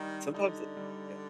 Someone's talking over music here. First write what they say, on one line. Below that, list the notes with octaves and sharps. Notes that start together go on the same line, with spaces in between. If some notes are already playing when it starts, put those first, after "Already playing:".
sometimes it yeah.
Already playing: D#3 G3 D#4
D3 D#4
G3